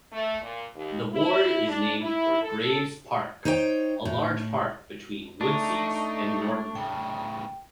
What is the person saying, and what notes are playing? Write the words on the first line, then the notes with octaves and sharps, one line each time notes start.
The ward is named for Graves Park-a large park between Woodseats and Norton.
A3
A#2
D#2
E4
D4
E4
A4
D#4 C5 C#5 G5
A2
A3 D4 D#4 C#6
A2 C#3 G5